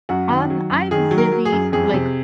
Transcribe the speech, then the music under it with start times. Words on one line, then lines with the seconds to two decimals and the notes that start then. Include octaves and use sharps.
Um, I really, like
0.09 F#2 F#4
0.29 D#3
0.50 F#3
0.70 F#2
0.91 D#3 G#4
1.11 F#3
1.18 A#4
1.32 F#3
1.45 G#4
1.52 F#2
1.72 F2 G#4
1.93 C3